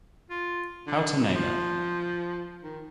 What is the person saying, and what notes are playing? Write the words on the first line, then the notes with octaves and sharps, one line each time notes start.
How to Name It?
F4
D3
G2
F3
D#3